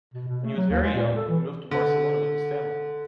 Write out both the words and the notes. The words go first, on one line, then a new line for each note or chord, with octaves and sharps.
When he was very young, he moved to Barcelona with his family.
B2
B2
A3
F#3
D#2
G#3
A#2
A4
E3
D3